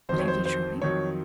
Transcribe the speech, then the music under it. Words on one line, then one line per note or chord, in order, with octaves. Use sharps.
But have you tried?
F2 D#3 F#3 C5
C#5
C5
C5
F2 D#3 F#3 C#5